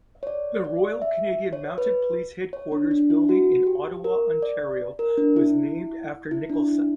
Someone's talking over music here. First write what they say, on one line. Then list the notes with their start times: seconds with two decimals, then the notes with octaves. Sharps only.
The Royal Canadian Mounted Police headquarters building in Ottawa, Ontario was named after Nicholson.
0.23 C#5
0.27 D5
0.64 D5
1.02 E5
1.53 C#5
1.78 B4
2.53 C#5
2.72 D4
2.91 D4
3.10 E4
3.29 F#4
3.67 G4
4.04 A#4
4.42 D5
4.99 A#4
5.18 D4
5.36 E4
6.31 E4
6.50 D4
6.68 E4